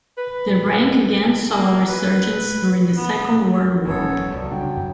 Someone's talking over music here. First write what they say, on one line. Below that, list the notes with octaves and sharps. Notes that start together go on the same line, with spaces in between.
The rank again saw a resurgence during the Second World War.
B4
A#3
B4
B3
D#1 F#2 G#3 B3 C#4 A4 C#5
C2 F#3 D5
C#3 G3 D4 G5
F#2